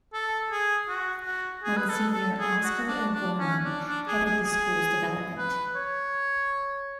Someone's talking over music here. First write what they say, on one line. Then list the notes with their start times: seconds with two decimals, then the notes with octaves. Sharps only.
Monsignor Oscar O'Gorman headed the school's development.
0.13 A4
0.51 G#4
0.89 F#4
1.26 F#4
1.64 G#4
1.77 B4
1.89 A4
2.14 A4
2.39 G#4
2.63 F#4
2.88 D4
3.14 D4
3.39 C#4
3.64 D4
3.88 D4
4.08 G#4
4.25 G#4
4.45 G#4
5.38 B4
5.75 C#5